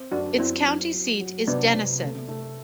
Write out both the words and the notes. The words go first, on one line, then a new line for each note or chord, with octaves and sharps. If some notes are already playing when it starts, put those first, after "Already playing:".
Its county seat is Denison.
Already playing: C4
F#2 D4 F#4
F#2 C4 E4
F#3
F#3
F#3
C3 B3 D4
C3
A3
A3